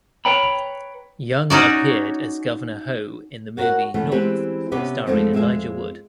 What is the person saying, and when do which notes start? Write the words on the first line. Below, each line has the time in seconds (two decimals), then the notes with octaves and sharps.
Young appeared as Governor Ho in the movie "North" starring Elijah Wood.
0.25 B4 C#5 G5 A#5 B5
1.50 C#4 D#4 F#4 D5
3.57 F#4 A#4 C5 C#5 F#5
3.94 E3 A3 B3 C#4
4.11 E3 G#3 C4 E4 G4 B4
4.72 C3 B3 C#4 G4 B4 D#5
5.06 F2 E3 G#3 A3 C4 D#4
5.33 F2 G#3 G#4 E5 G#5